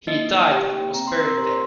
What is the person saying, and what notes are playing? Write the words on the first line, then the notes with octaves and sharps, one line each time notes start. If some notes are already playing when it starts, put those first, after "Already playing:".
He died and was buried there.
A#3 D#4 D#5
D#4
G4 G5
A#3
C4 A#5
C6
D#4 A#4 A#5
G4 C5 C6